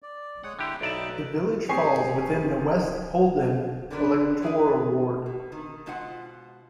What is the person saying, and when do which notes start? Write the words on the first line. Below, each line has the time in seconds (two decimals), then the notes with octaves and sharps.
The village falls within the 'West Polden' electoral ward.
0.02 D5
0.43 G#3 C#5 F#5 D#6
0.59 D3 E4 G4 G5
0.81 B1 D#4 B4 D5 E5 A5
1.69 C4 G4 G#4 G#5 C#6 C7
3.90 D3 B3 D4 A#4 B4
4.42 E4 G#4 A#4 B4 F5
5.26 B2
5.52 D#3
5.86 B2 G#3 F4 C5 F#5